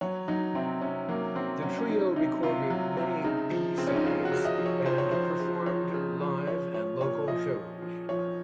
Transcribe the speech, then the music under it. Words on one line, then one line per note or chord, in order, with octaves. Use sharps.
The trio recorded many b-sides and performed live and local shows.
F#3 C#5
F#3 D#4
C3 C4
C3 C#4
F#3 A#3
F#3 C4
F#3 C#4
C#4
F#3 D#4
C3 D#4
C3 F4
F#3
C3
C#3 D#4
F3
C#3 C4
C#4
D#4
C#3 F4
F#4
C#3
D#5
F3
C#5
F3 C5
C#5
F3 C5
C#3
F3 C#5
C#3
F3
F3 C#5
F3 C#5
A#2 C#5
F3 D#5
F3
F3
F3 C#5